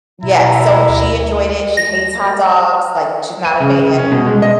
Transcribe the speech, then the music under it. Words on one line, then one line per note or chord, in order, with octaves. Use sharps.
Yeah, so, she enjoyed it, she hates hot dogs, like, she's not a fan,
B2 E4 A#5
D2
A#6
D#7
C#3
C#3
C#4
B2
G#3
D#5